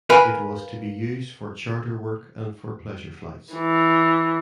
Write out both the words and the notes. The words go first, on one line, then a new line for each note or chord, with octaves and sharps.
It was to be used for charter work and for pleasure flights.
A#4 B4 F5 G#5 B5
E3